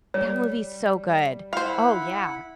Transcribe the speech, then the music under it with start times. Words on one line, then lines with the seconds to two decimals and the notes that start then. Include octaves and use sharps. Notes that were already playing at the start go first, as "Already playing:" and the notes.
That movie's so good, oh yeah.
0.14 G3 C#5
1.53 E4 C5 F5 F#5 B5